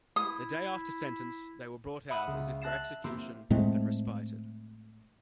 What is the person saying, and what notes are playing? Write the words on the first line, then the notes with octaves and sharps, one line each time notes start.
The day after sentence they were brought out as if for execution and respited.
E4 D#6
E5 F#5 B5 D#6 D#7
C#2
E5 A5 F#6 A#6 C7 E7
A#3 C4 E4 F4 G4 C5
A2 G#3 A3 C4